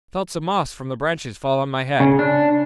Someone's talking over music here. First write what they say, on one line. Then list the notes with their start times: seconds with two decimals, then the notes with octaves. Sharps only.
I felt some moss from the branches fall on my head.
2.00 C#3
2.19 D4